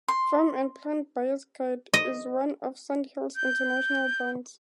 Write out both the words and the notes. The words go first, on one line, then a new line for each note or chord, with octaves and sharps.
"Farm and Plant Buyers Guide" is, one of Sandhills' international brands.
C6
D#5
G6